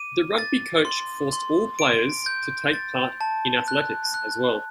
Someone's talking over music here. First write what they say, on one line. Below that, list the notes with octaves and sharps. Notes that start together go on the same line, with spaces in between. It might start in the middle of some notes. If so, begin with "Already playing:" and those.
The rugby coach forced all players to take part in athletics as well.
Already playing: D6 D#7
A6
C6
C6
D7
G6
A6
A5
F#6
F#6